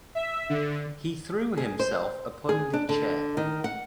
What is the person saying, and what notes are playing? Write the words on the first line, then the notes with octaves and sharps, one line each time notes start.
He threw himself upon the chair.
E5
D3
G#4
C5
G#4
D4
D3
D#3
F#5